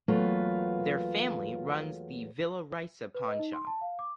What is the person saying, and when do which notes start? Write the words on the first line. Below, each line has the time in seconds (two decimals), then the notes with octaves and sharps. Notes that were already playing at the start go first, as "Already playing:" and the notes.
Their family runs the Villarica Pawnshop.
0.08 E2 F#3 A3 A#3 F4 B4
3.14 B4
3.28 D#5
3.39 D#4
3.53 C6
3.67 A5
3.81 F5
3.99 D6